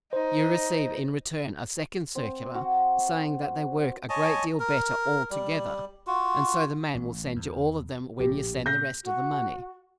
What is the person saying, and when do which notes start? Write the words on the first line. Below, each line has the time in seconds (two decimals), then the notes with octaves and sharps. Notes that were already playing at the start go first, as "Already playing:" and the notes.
You receive in return a second circular, saying that they work a great deal better all together, and so the man will send you all of them when you send the rest of the money.
0.13 D#4 C5
2.15 C4
2.55 F#4
4.09 C#5 D#5 G#5 A5
4.60 A#4
5.31 G3
6.07 F4 F#4
6.95 A1
7.36 E2
8.20 A#1 A2 G4
8.66 A#2 G6 A#6
9.03 F#4